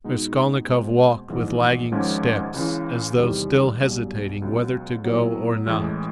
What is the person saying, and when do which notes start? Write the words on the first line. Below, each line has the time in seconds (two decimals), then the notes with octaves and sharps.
Raskolnikov walked with lagging steps, as though still hesitating whether to go or not.
0.04 B2 G#3 B3 D#4
0.67 B2 G#3 C4
1.29 A#1 G#2 E3
1.92 G#1 G#2 F3 G#3 C#4
2.54 C#2 C#3 E3
3.17 E2 C3 D#3 G3
3.79 B1 B2 G3
4.42 C#2 B2 F#3
5.04 A2 F#3 B3 E4
5.66 A1 A2 E3 G#3